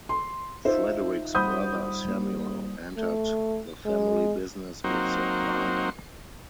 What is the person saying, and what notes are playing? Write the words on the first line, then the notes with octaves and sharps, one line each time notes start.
Frederick's brother Samuel entered the family business with their father.
C6
D#4 F4 C5 E5
G3 C5 F#5 B5 D#6 G6
G3 A#3
A3
G#3
F#3 A#3 C4 D#4 F#4 C5